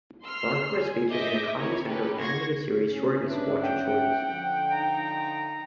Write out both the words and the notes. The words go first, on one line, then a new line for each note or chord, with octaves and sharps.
Barker was featured in Comedy Central's animated series Shorties Watchin' Shorties.
C6 E6 F6 C7
G#5
D#5 E5 D6 G6 A#6
C4 E4 A#4 C#5
C#4 D#4 G4 A4 B4
F#4 C6 C#6 G#6 A#6
A3 C#4
C#4 D4 B4 E5
F#5 G5
D3 F3
D#4 A#5